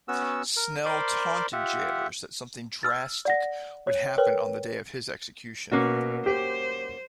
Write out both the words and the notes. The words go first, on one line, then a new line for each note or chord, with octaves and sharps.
Snell taunted jailers that something drastic would happen on the day of his execution.
B3 C#4 F#4 E6
A#4
A#4 C5 D5 B5 C6 D6
F4 G4 E5 F#5
E6 F6 A6
D5 F#5 A#6
C#5
A#4 B4 C#5 G5
B2 A#3 C#4 F#4
G4 C5